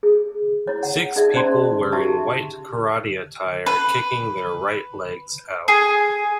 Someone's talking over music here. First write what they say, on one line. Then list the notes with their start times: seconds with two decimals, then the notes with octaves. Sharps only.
Six people wearing white karate attire kicking their right legs out.
0.03 G#4
0.67 E4 C#5
0.83 F#5
1.16 D#4 G#4 D5 E5
1.34 C#4 C5 D5 A5 C6
1.92 D#4 F#4 G4 E5 A5 C#6
3.66 B4
5.68 G#4